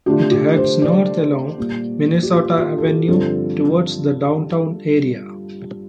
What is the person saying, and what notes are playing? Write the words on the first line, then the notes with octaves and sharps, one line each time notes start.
It heads north along Minnesota Avenue toward the downtown area.
D3 A3 D4 F4 G4
G4
C5
D5
A#2 G3 A#3
G4
F4
F4
A4
G4
G2 D3 F3 C4 F4 A4